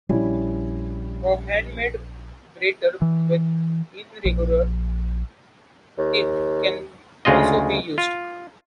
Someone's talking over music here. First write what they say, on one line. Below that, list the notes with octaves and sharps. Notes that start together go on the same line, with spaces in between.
A hand-made grater with irregular teeth can also be used.
A#1 G3 C#4 E4
E3
A#1
D#2
D2 C#3 G#3 F4 D#5
F4